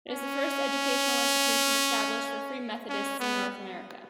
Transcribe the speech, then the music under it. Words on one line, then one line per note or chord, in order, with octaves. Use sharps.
It is the first educational institution established for Free Methodists in North America.
C#4
C#4
B3